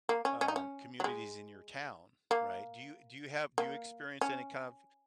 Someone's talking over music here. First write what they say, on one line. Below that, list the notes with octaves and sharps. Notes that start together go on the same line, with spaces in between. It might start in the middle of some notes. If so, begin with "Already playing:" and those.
um, communities in your town, right? Do you do you have do you experience any kind of,
A#3
C#4
C#4
D#4
C#4
F#3
G#3
A#3
A#3
C#4